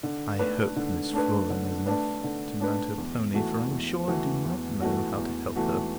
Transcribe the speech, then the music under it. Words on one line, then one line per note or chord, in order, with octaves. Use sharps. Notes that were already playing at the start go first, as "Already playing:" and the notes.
I hope Miss Flora knows enough to mount her pony, for I am sure I do not know how to help her.
D3
A3 D4 B4
D3
A3 D4 B4
D3
A3 D4 B4
D3
A3 D4 B4
E2
E3 A3 F#4
E2
E3 A3 F#4
E2
E3 A3 F#4
E2
E3 A3 F#4